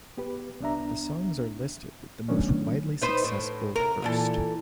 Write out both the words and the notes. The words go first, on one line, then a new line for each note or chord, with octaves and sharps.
The songs are listed with the most widely successful first.
B3 G4 B4
C2 B3 D4 E5 A#5
D#3 F#3 A3 B3 C#4 D4
D#4 B4 C5
A2
C3 A#4
A#2 E3 A4